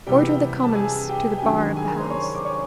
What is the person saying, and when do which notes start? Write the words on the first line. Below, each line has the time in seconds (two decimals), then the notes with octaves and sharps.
"Order the Commons to the bar of the House."
0.07 C3 E3 G3 B3 G4 G5
0.64 A5
0.75 G#4 G#5
1.09 G4 G5
1.38 G#5
1.42 G2 D#3 F#3 G4 G5
1.76 G#4 G#5
1.88 A#4 A#5
1.99 C5 C6
2.10 C#5 C#6
2.35 D6
2.44 C#5 C#6